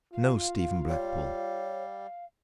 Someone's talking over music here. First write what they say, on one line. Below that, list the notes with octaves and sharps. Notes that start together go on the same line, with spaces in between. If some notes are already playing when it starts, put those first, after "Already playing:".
No Stephen Blackpool.
F4 F5
G3 C#5